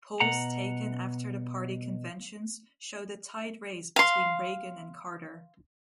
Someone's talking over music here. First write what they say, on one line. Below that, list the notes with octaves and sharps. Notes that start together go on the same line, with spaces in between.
Polls taken after the party conventions showed a tied race between Reagan and Carter.
B2 F#5 A#5
F5 C6